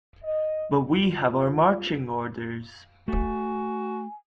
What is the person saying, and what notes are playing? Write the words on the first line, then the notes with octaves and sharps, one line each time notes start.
But we have our marching orders.
D#5
F4
A3 F#4 G#5